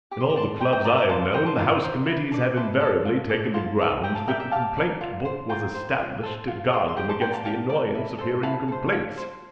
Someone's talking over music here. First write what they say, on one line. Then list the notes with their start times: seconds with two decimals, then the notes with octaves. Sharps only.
In all the clubs I have known the house committees have invariably taken the ground that the complaint-book was established to guard them against the annoyance of hearing complaints.
0.11 G4 D6
0.20 C6
0.30 A#5
0.36 D5 A5 C6
0.60 G4 G5 A#5
0.72 G5 A#5
0.85 D5 A#5 D6
0.97 A#5 D6
1.09 F4 A5 C6
1.33 C5 G5 A#5
1.46 A5 C6
1.58 F4 A#5 D6
1.83 C5
2.07 E4
2.32 A4 D5
2.56 E4 A5 C6
2.80 A4 D5
3.05 F4
3.29 A4 D5
3.54 F4 A5 C6
3.79 A4 D5
4.03 G4 G5 A#5
4.15 F5 A5
4.28 A#4 D5 E5 G5
4.40 E5 G5
4.51 G4 F5 A5
4.77 A#4 D5
5.01 F4
5.25 C5
5.49 F4 G5 A#5
5.74 C5
5.99 F4
6.23 A4 C5
6.48 F4
6.72 A4 C5
6.89 C6
6.96 G4 G5 A#5
7.09 A5 C6
7.21 D5 G5 A#5
7.33 F5 A5
7.45 G4 F5 A5
7.70 D5
7.95 E4
8.19 A4 C5
8.43 E4 F5 A5
8.68 A4
8.72 C5
8.92 F4
9.17 C5